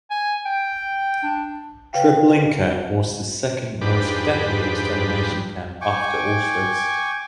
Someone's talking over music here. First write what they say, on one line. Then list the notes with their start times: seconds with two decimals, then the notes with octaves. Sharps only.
Treblinka was the second most deadly extermination camp after Auschwitz.
0.10 G#5
0.45 G5
1.23 D4
1.93 C#3 B4 F5 G5
3.81 F2 G#2 D4 G4 B4
5.82 G5 G#5 C#6 D6